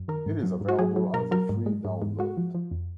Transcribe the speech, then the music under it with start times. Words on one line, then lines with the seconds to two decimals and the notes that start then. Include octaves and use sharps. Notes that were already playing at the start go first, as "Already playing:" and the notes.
It is available as a free download.
Already playing: F#2
0.08 D#3 A#4
0.26 G#2
0.43 F#3
0.61 G#2
0.68 F#4
0.79 F#3 G#4
0.96 F#3
1.14 B2 A#4
1.31 F#3 A#4
1.49 G#2
1.66 G#3
1.85 G#2
2.02 G#2
2.19 G#3 F#4
2.37 F3
2.55 F3
2.71 F2